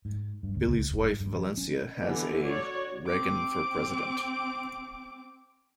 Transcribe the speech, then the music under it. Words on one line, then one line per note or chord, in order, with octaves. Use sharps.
Billy's wife, Valencia, has a Reagan for President!
G#2
G2
D2
C#2
F1
G2
G2
F3
C#4
D3 E3 B3 D4
F#4 C#5 D5
C4 D6